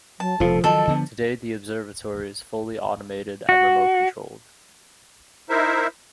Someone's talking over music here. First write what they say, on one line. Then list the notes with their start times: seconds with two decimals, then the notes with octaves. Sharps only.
Today the observatory is fully automated and remote controlled.
0.20 F#3 A5
0.40 F1 B2 F3 A4
0.64 D#3 F3 F#3 A4 D#5 A5
0.87 D3 F3 B3
3.49 F#4
5.49 D#4 E4 A#4 C5 E5